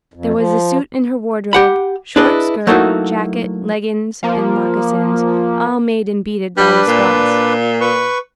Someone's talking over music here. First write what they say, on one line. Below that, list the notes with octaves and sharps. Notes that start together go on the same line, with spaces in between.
There was a suit in her wardrobe, short skirt, jacket, leggins, and moccasins, all made and beaded by the squaws.
F2
F3
G4 F#5 B5
D4 E4 G#4 B4 D5 D#5
F#3 A3 A#3 D#4 E4 F#4
F3 A#3
G3 D4 B4
A#2
B4 C#6